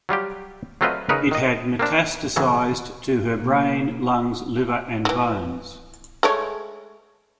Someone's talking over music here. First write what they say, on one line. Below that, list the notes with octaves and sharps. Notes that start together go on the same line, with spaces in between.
It had metastasised to her brain, lungs, liver and bones.
F#3 G3 F4 G4
F#3 A3 C4 F4 B4 D#5
C#3 D#4 A#4 B4
D#3 D#5
A#3 C4 D4
A2 C#3 E3 F#3
B2 A#3
C#3 E3
G#3 A3 C#5